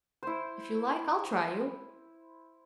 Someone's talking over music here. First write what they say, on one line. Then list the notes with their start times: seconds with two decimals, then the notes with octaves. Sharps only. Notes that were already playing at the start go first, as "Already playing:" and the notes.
If you like, I'll try you.
0.23 E4 C5